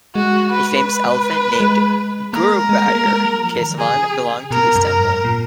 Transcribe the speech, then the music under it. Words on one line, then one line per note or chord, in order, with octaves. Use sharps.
A famous elephant, named Guruvayur Kesavan, belonged to this temple.
G#3 F#4
B4
G#3
A#3 A#4
G#3
G#3
A#3
G#3
F#3
F3
D#3
C#3 G#4
B2 A#4
F#2
A#4
G#2
A#2